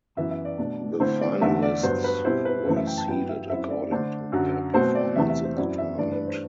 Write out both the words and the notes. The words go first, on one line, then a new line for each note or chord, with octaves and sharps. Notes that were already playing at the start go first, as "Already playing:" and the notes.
The finalists were seeded according to their performance in the tournament.
F#2 E3 B3 E5
E5
D5
B2 A3 D4
D3 A3 C4 E4 C5
D5
E2 D3 A3 E5
D5
G2 F#3 B3 C5
B4
B2 G3 C4 E4 C5
B4
F#2 E3 A3 C5
E5
G5
A5
G2 F#3 B3 E4 G5
E5
F#2 F#3 C4 E4 E5
D5
D3 A3 D4 C5
F#2 D3 F#3
B2 F#3 A3 C4 C5
D5
E2 C3 E3 A3 E5
E5
C5
F#2 F#3 C4 E4 D5
E5
G2 E3 A3 D4 D5
B4
C5